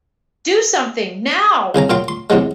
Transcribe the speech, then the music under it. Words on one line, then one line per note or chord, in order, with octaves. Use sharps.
Do Something Now!
C2 C#3 G#5 A#5
A#2 F#3 F4 G5 C6
C6
F#2 C3 E3 F#3 G#3